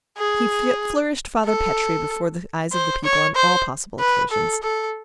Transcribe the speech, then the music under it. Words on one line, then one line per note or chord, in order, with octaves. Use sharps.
He flourished Father Petre before the eyes of the people on all possible occasions.
G#4
A4
C5
C#5
C5
B4
A4
A4